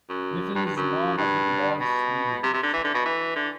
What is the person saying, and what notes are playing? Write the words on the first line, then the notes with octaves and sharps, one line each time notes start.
Little is known of the Revolt's leaders.
F#2
G2
G2
F#2
G2
B2
C3
C3
D3
E3
D3
B2
E3
D3